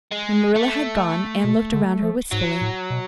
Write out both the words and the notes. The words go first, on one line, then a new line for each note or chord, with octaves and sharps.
When Marilla had gone Anne looked around her wistfully.
G#3
A3
B2
D3
F3
G#2 F#3
A2
B2